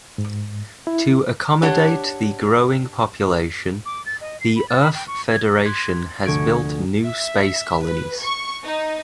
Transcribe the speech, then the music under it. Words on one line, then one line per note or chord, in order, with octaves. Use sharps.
To accommodate the growing population, the Earth Federation has built new space colonies.
G#2
E4
D4 G4 C#5 F#5
D6
A6
D#5
C7
B5
A6
B5
G5
C#6
G#6
C6 D6 F#6 G#6 B6
F1 D2 D3 C#6 G#6 D7
E5
B4
C#6
D#4